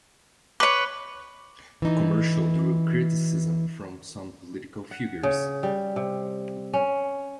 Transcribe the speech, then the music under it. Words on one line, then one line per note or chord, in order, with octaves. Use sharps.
The commercial drew criticism from some political figures.
B4 C#5 D6
E3 D#4
F#5
C#3
G3
C3
C#4